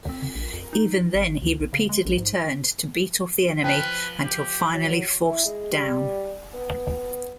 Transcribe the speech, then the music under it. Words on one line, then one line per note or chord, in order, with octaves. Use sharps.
Even then, he repeatedly turned to beat off the enemy until finally forced down.
C4
A#1
F2
D#4
G#1
D2
B1
C#3
G#3
A#1
G#2
F3 B4 G5
G4
F#3
E4
G#3
G3
B3